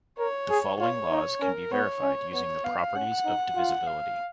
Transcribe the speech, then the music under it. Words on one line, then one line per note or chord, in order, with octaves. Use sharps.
The following laws can be verified using the properties of divisibility.
A#4 C#5
G#4
F4 C#5
D#4
C#4 A#4
B3 C#5
C#4
B3 C#5
B3 F5
C#4 F#5
D#4
F4
F5